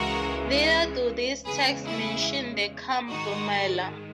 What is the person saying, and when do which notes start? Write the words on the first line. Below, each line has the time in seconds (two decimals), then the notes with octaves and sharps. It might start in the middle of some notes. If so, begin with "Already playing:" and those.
Neither do these texts mention the Kumbh Mela.
Already playing: C#2 C#3 E3 G#3 F#4 A#4
1.45 E2 C#3 G#3 G#4 B4
1.86 E4 G#4
3.08 G#2 D#3 G#3 D#4 F#4